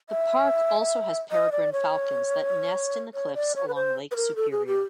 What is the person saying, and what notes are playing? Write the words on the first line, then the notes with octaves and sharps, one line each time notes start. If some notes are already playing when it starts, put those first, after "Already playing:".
The park also has peregrine falcons that nest in the cliffs along Lake Superior.
E5
D#5
D5
C#5
C#5
D5
C#5
B4
C5
B4
A#4
A4
G#4
G4